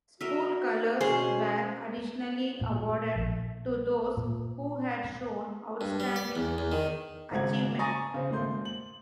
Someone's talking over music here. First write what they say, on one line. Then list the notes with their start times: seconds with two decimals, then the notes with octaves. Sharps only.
"School colours" were additionally awarded to those who had shown outstanding achievement.
0.21 F#4 A#4 D#5 E5
1.01 B2 C#4 G#4 C5
2.61 A#2
3.16 A#1
4.17 A#2
5.81 G2
6.00 G3
6.16 D5
6.36 E2
6.58 E2
6.72 D#3
7.31 G#1 C#3 C5 F#5 A#5 G#6
7.79 G#5 A#5 C#6 D#6 A6 A#6
8.14 C#3 C5
8.30 G#1 A3 A#3 C6 G6
8.65 F#7